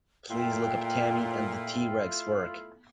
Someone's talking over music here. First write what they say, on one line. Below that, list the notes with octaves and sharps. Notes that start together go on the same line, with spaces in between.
Please look up Tammy and the T-Rex work.
A#2 A3 E4 F4 G5